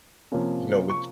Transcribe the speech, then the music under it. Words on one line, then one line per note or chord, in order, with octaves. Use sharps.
you know, with,
C3 F3 A#3 C#4
C#6